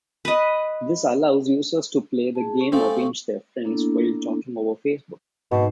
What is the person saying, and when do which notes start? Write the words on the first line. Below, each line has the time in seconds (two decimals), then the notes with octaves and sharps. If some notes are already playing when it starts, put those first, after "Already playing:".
This allows users to play the game against their friends while talking over Facebook.
0.25 B4 D#5
2.35 G#4 A5
2.61 C#4
2.72 F3 A3 C4 A4 G#5 C#6
2.99 C#6
3.65 A#3 B3 D4 E4 A4
5.51 G#2 B2 C4